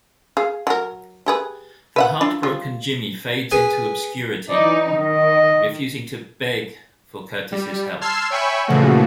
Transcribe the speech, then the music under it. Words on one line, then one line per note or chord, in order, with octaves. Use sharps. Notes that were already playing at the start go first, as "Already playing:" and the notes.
The heartbroken Jimmy fades into obscurity, refusing to "beg" for Curtis' help.
G#4 F5
F#3 A#4
G4 G#4 B4
B4 E5 F#5
D4 E4 F4
G3 F4
G#4 B4 G#5
E3 D#4 D5
D#3 D#5
G3
A5 C6 E6 F6 G#6 C7
C#5 E5 G5 G#5 B5 C#6
A#2 C#3 E3 F3 A3 F#4